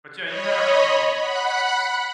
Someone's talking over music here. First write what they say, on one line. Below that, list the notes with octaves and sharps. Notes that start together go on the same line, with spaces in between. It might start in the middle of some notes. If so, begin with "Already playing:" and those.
but, yeah, you had, um
C#5 D#5 B5
F#5 B5 F#6